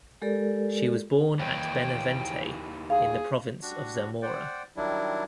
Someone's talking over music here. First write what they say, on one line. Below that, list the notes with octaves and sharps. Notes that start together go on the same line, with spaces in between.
She was born at Benavente, in the province of Zamora.
G#3 G4 A4 A#4 D5
D#2 E3 G5
G#4 F5
G3 D4 F#4
C5 D5 F#5 G5
D#3 F#3 G3 D4 E4